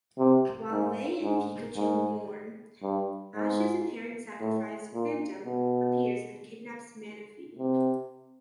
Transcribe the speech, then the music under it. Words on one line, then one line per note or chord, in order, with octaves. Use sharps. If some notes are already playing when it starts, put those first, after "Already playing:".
While May and Pikachu mourn Ash's apparent sacrifice, Phantom appears and kidnaps Manaphy.
C3
G#2
G#2
G#2
G2
G#2
A2
A#2
B2
C3